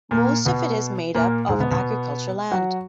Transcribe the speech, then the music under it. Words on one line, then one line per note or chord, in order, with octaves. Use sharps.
Most of it is made up of agricultural land.
A#2 A#3
B2 B3
A#2 A#3
G#2 G#3
B2 B3
B2 B3
F#3 F#4